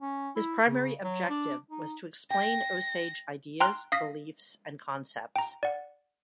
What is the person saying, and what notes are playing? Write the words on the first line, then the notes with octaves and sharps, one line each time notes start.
His primary objective was to explain Osage ideas, beliefs, and concepts.
C#4
E4
C#3
F#3
D4
D#4
G5 A#6
G5 A#5 C6 F6 F#6
F5 D#6 A#6 B6
G5 A#5
D5 F#5